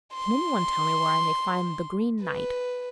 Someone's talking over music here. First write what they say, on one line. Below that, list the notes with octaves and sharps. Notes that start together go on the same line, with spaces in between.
'Can anyone tell me where I may find the Green Knight?'
C6
B4